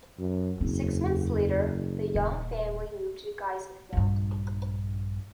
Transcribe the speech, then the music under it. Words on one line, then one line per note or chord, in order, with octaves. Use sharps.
Six months later, the young family moved to Geisenfeld.
F#2
F#1 E2 C4
D#1
A#1 G2